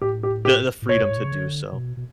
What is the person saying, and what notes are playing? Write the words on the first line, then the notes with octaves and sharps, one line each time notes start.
the the freedom to do so.
A2 G4
G4
G4
A2
B2 C#5
G2
A2
B2
C#3
D3
C#3
B2
B2